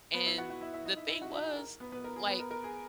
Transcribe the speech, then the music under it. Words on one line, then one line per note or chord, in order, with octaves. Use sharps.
and the thing was, like,
B3 B4
E4 E5
F#4 F#5
F#4 F#5
E4 E5
E4 E5
D#4 D#5
E4 E5
E4 E5
F#4 F#5
D#4 D#5
G#4
A#4
B3 B4
B3 B4
A#4
G#4
B3 B4
A#4
A#4
G#4